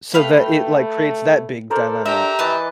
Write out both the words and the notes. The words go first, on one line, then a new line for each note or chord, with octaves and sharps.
So that it, like, creates that big dilemma
A3 B4 F5 G5
A4 A#4 C5 D5
D4 G4 A4 E5 A#5
E3 B4 D#5 A5 D6